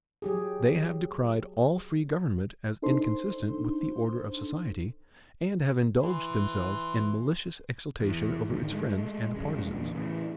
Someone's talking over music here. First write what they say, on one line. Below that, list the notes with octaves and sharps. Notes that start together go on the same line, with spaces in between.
They have decried all free government as inconsistent with the order of society, and have indulged themselves in malicious exultation over its friends and partisans.
F#3 G4 G#4
D4 D#4 A4 C5 C6
E3 C6
E2
G#2 D3 D#3
G#3 A3
C2 F#2 G#3
E2 A#2 D3
A2 C#3 E3